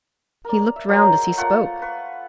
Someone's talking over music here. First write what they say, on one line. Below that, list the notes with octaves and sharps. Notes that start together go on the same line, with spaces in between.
He looked round as he spoke.
A#4 D5
E5
F#3 G#3 C5 A#5
A3 A#3 F4 F#5
B4 C#6